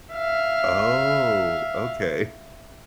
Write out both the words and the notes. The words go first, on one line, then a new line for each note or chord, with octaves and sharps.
Oh, okay.
E5 F5